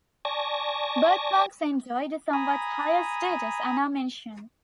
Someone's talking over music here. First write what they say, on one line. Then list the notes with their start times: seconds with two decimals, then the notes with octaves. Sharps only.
Birthmarks enjoyed a somewhat higher status, and are mentioned.
0.25 D5 G#5 A5 C#6 A#6
2.33 G#5 A#5 B5 D#6